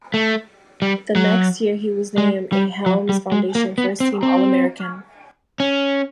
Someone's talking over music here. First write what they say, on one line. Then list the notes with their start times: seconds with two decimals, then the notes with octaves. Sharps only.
The next year, he was named a Helms Foundation first-team all-American.
0.14 A3
0.82 G3
1.16 F#3
2.18 G#3
2.52 G3
2.86 F#3
3.09 G3
3.32 G#3
3.55 A#3
3.78 B3
4.00 C4
4.23 C4
5.60 C#4